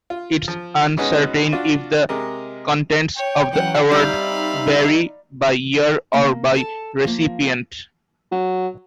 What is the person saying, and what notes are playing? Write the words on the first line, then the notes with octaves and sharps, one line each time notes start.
It's uncertain if the contents of the award vary by year or by recipient.
F4
F3
B2 G#3 C#4 D#4 F#4 B4
D4 F4 F#4
C3 G#3 A#4 D#5
C#5 G5
E3 F#3 C#4 F#5
G3 C4 D#4 E5 F5 B5
A#3
A4 A5
F3 A#3
F#3